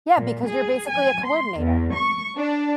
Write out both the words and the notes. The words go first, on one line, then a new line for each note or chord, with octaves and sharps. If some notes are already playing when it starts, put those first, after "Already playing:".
Yeah, because you're basically a coordinator.
A#2
G#4
G#5
C6
E2
C#6
D4